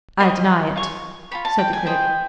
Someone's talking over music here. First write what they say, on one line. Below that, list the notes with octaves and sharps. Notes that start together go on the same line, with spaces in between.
"I deny it," said the Critic.
F#4 A#4 D#5 C6
F4 G#4 C#5 C#6
F4 G#4 C#5 B5
A5
G5
G#5
E4 G#4 C5 D#5 G5